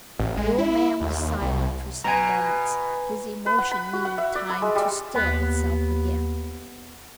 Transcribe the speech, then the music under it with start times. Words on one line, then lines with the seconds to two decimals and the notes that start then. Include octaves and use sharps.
The old man was silent for some moments: his emotion needed time to still itself again.
0.19 A1
0.37 G#3
0.58 E4
1.00 D#2
1.41 C2
2.04 B2 G#5 A#5
3.46 B4
3.59 F#5
3.71 B5
3.93 F#4
4.05 F#5
4.18 E5
4.35 D5
4.50 B5
4.62 G#3
4.75 G3
5.14 D#2 B3